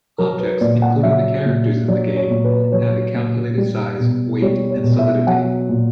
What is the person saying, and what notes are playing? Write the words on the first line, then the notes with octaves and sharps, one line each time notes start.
Objects, including the characters in the game, have a calculated size, weight and solidity.
F#3 A#4
B4
A#2 D5
F#5
F#3 E5
A#2
F#3 D5
C#5
A#2
B4
F#3 C#5
A#2
G3
B2
G3 C#5
C#5
B2
E5
F#3 F#5
A#2